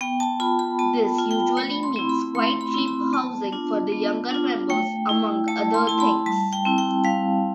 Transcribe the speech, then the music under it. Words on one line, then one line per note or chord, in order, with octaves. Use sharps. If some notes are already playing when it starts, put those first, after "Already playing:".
This usually means quite cheap housing for the younger members among other things.
B3 G5
A5
F4 B5
B5
B3 A5
F4
G5
A3 B5
C6
C4 E4
B5
A3 C6
B5
C4 E4
B5
B3 A5
D4 F4
B3
D4 F4
A3 G5
E4
A3 A5
C6
E4 A5
B5
G3 A5
G5
C4 E4
G5
G3 F5